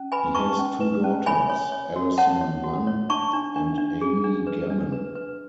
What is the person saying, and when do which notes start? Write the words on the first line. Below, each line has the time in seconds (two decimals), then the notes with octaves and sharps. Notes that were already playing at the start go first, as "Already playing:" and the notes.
He has two daughters, Allison Mann and Amy Gammon.
Already playing: C#4
0.12 B4 G#5 B5
0.35 B4 A5 C#6
0.59 C#4
0.80 B4
1.04 C#4
1.26 C#5 G#5 B5
1.50 C#5
1.72 C#5
1.96 F#4
2.18 C#5 F#5 A5
2.41 C#5
2.63 F#4
2.87 C#5
3.09 D4 A5 C#6
3.33 D4
3.56 D4
3.78 D4
4.01 G#4
4.24 D4
4.47 B4
4.70 D4
4.92 B4
5.15 B4